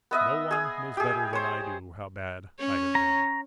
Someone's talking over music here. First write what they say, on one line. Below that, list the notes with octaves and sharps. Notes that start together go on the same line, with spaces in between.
No one knows better than I do how bad I have been.
B3 D#5 E5
G#4 G#5
G4 G#4
C5 C#5
C#4 C#5
A#5